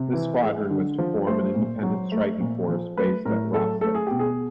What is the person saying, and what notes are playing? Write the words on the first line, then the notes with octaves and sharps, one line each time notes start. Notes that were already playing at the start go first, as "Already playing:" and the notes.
This squadron was to form an independent striking force based at Rosyth.
Already playing: C3
E3
G#3
D3
F3
A3 C5
A#2
F#3
A3
A#2
F3
A3 B4
A2 A#4
F#3 A4
A3 A4
G#4
B2 G4
G#4